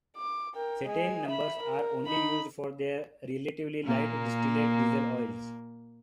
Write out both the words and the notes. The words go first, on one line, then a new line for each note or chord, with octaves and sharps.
Cetane numbers are only used for the relatively light distillate diesel oils.
D6
A#4 G5
G#3 G#5
E5 B5
A#4
D#4 B5
A#2 A#3